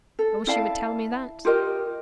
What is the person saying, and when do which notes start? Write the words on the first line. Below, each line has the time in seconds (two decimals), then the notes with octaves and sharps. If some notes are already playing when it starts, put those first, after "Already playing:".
"I wish you would tell me that."
0.19 A4
0.47 E4 D5 F5 A5
1.45 F4 G4 A#4 D#5